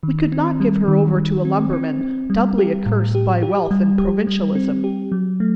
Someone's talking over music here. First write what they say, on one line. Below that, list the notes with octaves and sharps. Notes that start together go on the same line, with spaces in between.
We could not give her over to a lumberman, doubly accursed by wealth and provincialism.
D#3
C4
G3
D#3
D#3
C4
C4
C4
G3
G4
A2
G4
G4
G3
G4
G3
C4
G4
F#3
A3